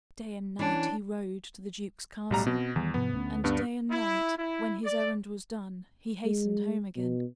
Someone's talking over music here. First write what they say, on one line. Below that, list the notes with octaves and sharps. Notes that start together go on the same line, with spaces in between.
Day and night he rode to the duke's castle, and day and night, when his errand was done, he hastened home again.
E3 C#4 D4
B1 A2 G3 A3 A#5
B2 C4
E2 D#3 E3 G3
G#2 C3 F3 B3
D2 A3 C#4
G2 B3 D4
E4
E4
D5
G#3
B2